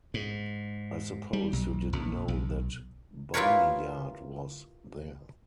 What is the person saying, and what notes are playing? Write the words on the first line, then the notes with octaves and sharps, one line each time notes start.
I suppose you didn't know that boneyard was there.
G#2
G3
B1
A#1
B1
E4 F4 G4 A#4 B4 C#5